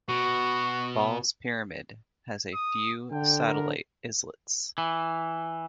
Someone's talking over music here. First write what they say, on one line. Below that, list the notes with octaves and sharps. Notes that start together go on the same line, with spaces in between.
Ball's Pyramid has a few satellite islets.
B2 F#4
D#6
D3 G5
A#4
E3